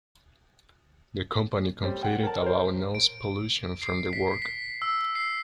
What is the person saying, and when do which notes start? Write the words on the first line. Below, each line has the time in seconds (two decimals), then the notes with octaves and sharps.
The company complained about noise pollution from the work.
1.83 G3 C4
2.03 F#5 G5
2.23 A#4 A5
2.42 A#4 C5
2.95 D7
3.82 C7
4.13 B6
4.42 B6
4.82 E6
5.15 C7